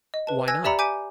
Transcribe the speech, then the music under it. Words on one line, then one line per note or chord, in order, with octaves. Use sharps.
"Why not?"
D#5
B4 A5
G#5 E6 F#6 G#6 A#6
G4 D5 E5 A#5 B5 C#7
G#5 D6 G6 B6 D7 D#7